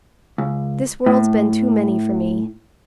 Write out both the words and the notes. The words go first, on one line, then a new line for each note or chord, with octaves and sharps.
This world's been too many for me.
C#2
A2